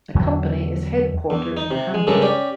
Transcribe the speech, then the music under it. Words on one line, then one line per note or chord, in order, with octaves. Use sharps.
The company is headquartered in Hamburg.
E2 D3 F#3
E2
D#4
C3
G#3
G2 C#3 G#3 A4 A#4
C#4 G4 D5